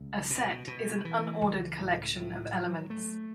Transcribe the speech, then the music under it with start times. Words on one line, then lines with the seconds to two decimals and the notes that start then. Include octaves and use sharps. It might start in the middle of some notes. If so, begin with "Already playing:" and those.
A set is an unordered collection of "elements".
Already playing: C#2
0.30 B2
0.67 B2
1.05 E3
1.41 C#2
1.79 A2
2.16 A2
2.53 F#3
2.90 A3